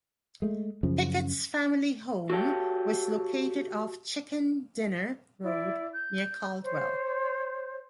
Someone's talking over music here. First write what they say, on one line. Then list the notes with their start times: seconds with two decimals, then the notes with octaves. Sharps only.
Pickett's family home was located off Chicken Dinner Road, near Caldwell.
0.42 G#3 A3
0.83 F#2 C#3 F3
2.30 F#4 G4 A4 C#5 F5 G5
5.42 E4 D5
5.92 G6
6.62 C5 C#5